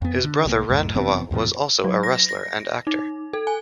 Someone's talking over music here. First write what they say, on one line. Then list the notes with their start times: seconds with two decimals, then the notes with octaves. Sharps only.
His brother Randhawa was also a wrestler and actor.
0.02 F2 B3
0.24 D3
0.46 C2 F3 A#3
0.69 C2 F#2 A2
0.95 F1 E3 B3 C4
1.31 D#2 G#2 B2 F3
1.84 F#3
2.03 A#6
2.29 A#6
2.87 D#4
3.33 A4
3.47 G#5